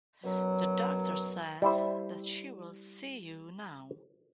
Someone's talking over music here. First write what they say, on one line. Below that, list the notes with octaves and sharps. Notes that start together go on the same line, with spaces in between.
The doctor says that she will see you now.
F#2 B2 F#3
G3 E4 C5